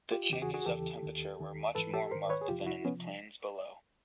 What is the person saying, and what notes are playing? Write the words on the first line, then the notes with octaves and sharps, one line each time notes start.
The changes of temperature were much more marked than in the plains below.
F4 G4
E2 C#3 E3 G4
F#4 G#4
F#4 G#4
E2 C#3 E3 G4 A4
D#2 D#3
D#2 D#3
G#2 E3 A4 B4
G4 A4
G#2 D#3 A#4 C5
B4 C#5
G#4
F2 C3 F3 F4 G4
E4 F#4
C3 F3 B3 C#4